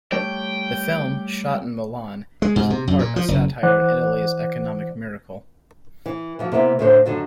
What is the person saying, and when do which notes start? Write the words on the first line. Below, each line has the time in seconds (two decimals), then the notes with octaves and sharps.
The film, shot in Milan, is in part a satire on Italy's economic miracle.
0.12 G3 A3 C#5 G5
2.42 G#3
2.56 G#2
2.70 C3
2.88 F#2
2.99 A#2
3.16 F3
3.28 F#1
3.63 E3 C5 D5 F#5 D6 F#6
6.06 E3
6.39 E3 F3 F#4
6.52 C3 A#3 B3 E4
6.79 A2 D3 C5
7.06 F#2 D3 D#3